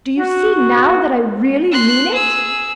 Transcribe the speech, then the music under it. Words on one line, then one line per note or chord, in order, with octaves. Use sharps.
Do you see now that I really mean it?'
F#4
C6 F#6
G#4 E6